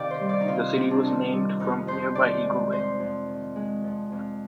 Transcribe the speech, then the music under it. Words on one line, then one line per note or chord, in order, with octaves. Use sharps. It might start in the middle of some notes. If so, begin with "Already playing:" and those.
The city was named from nearby Eagle Lake.
Already playing: C3 D#3 D5 F5 G5
C5
G3
D5
D#4
C3 F4
C3 C4
D4
D#3 D#4
G3
F2 D#4
F2 C5
D#3 D5
G#3
F2 C5
F2
D#3
G#3
F2
F2